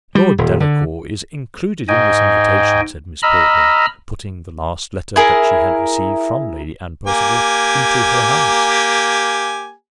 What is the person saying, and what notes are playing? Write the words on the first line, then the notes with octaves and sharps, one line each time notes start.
"Lord Delacour is included in this invitation," said Miss Portman, putting the last letter that she had received from Lady Anne Percival into her hands.
G3
D#1
D3
G#2 D#5 G5 G#5
D#5 A#5 B5 E6 F6
E4 G#4 A#4
A#3 G4 G#5